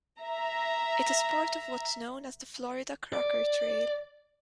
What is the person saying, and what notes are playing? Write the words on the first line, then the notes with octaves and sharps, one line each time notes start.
It is part of what's known as the Florida Cracker Trail.
E5 A#5
D5